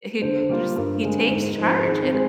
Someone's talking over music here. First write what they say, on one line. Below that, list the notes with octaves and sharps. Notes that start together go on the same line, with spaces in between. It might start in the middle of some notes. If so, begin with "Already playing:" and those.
he just he takes charge, and
D3 C5
G3 A#3 F4
G2 A#4
D3 G#3
G#2
F3 C4 D#4
D#3 G#4
C4
G#3